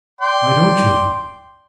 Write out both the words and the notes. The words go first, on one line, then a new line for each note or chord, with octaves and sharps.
"Why don't you?"
D5 G5 C6